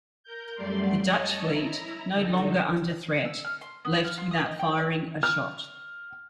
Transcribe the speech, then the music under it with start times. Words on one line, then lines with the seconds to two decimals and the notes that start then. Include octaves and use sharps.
The Dutch fleet, no longer under threat, left without firing a shot.
0.23 A#4 G6
0.55 F#2 G3 A3 D5 C6
1.04 C#5 D#5 A5
1.44 E4 A#5
2.14 D3 D#4 A4
3.25 E6
3.45 F6
3.61 C6
3.85 B3
4.04 F6
4.18 F4
4.31 D#6
4.46 D#5
4.59 G5
4.77 D5
5.23 F6